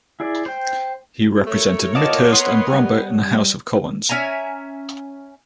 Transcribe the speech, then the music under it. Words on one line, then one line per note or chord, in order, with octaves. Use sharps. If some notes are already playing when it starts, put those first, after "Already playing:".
He represented Midhurst and Bramber in the House of Commons.
E4 G#4 D5
C5 G5
A3 A#4 C#5
B3 F4 D5 D#5 A5
D#5 F#5 B5 C6
G3
C#4 E5 G#5 A#5